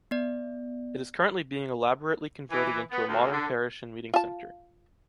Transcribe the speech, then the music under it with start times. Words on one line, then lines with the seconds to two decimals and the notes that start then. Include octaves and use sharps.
It is currently being elaborately converted into a modern parish and meeting center.
0.11 B3 D5
2.51 E3
2.90 B3
3.07 D2
3.31 D3
4.14 F4 A5